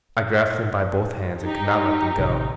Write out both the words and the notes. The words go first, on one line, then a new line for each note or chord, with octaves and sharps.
I grasped him by both hands, and could not let them go.
D#4 G4
A1 C3 D#3